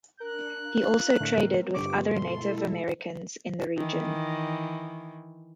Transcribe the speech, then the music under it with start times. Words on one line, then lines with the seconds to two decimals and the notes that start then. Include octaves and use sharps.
He also traded with other Native Americans in the region.
0.20 D4 A#4 F#6
0.54 F5
0.84 F4
1.20 A2 D3 A3 A#3 C4
1.75 G2 D3 B3 F4 G4 C#6 D6
2.10 B2 G#3 E4 A4 C6
3.76 D#3 E3